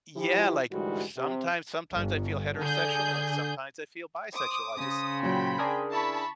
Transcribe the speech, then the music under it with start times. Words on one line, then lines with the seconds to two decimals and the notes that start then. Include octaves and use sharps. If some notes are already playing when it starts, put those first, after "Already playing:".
Yeah, like, "W sometimes sometimes I feel heterosexual, and sometimes I feel bisexual, I just"
0.16 F3 E4 G4
0.71 D2 G#2 E3 G3 G#3 F#4
1.17 C3
1.94 G1
2.60 D3 G#4 G6
4.35 C5 D6 D#6
4.77 C#3 C5 D#6
5.23 A#2 F#3 G5 B5
5.58 D4 G#4 A#4
5.92 E4 A5 B5 C#6